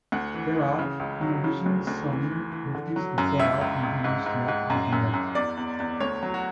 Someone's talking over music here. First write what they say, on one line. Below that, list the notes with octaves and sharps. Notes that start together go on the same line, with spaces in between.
There are, in addition some British Diptera in the University of Nottingham.
D2 F#5
E3
E3
C#3
C#2
F#3
C#3
D2
D2
E3
E3
E3
D3
F#3
F#2
C#2 E5
C#2
C#2
G#2
G#2
G#2
F#2
F#2
F#2
E2 D5
E2
E2
D2 C#5
F#3
F#4